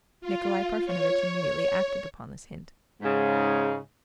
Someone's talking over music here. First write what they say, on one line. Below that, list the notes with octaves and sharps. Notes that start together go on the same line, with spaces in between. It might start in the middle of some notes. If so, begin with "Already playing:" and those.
Nikolay Parfenovitch immediately acted upon this hint.
F4
C#5
G#2 C#3